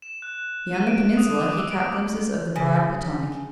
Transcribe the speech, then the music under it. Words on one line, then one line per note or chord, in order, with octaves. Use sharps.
Beyond the peninsula he caught glimpses of the broad Potomac.
E7
F#6
D#7
D7
D7
D#6
D6
E6
D7
C#3 G#5